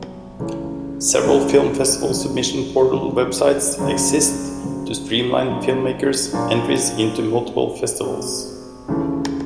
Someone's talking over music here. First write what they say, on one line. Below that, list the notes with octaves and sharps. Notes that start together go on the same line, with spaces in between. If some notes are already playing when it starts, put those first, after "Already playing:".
Several film festival submission portal websites exist to streamline filmmakers' entries into multiple festivals.
Already playing: C2 B2 F#3 B3
C#2 C#3 E3 A3 C#4
C#2 C#3 E3 A3 C#4
E2 C#3 F#3
E2 C#3 F#3
D2 C#3 F#3
D2 C#3 F#3
A#2 F#3 A#3 D4
A#2 F#3 A#3 D4
B2 G#3 C4
B2 G#3 C4
D#2 C#3 E3 A3